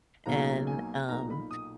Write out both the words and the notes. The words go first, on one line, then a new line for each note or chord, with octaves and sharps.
and, um,
B1 B2 F#3 A#3 D#4 A#5
G#5
B1 A#2 A#3 D#4 A#5
B5
D#6